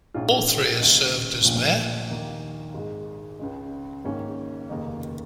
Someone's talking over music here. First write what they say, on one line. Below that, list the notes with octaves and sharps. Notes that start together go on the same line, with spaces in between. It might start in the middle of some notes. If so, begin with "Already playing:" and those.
All three have served as Mayor.
A#1 G#2 G#3 C#4 F4
D#2 C#3 G#3 D#4
A#1 A#2 F3
D#2 D#3 A#3
G#1 G#2 G#3
C#2 C#3 G#3
G#1 G#2 D#3 A#3 C#4
F1 D#2 C#3 A#3 D#4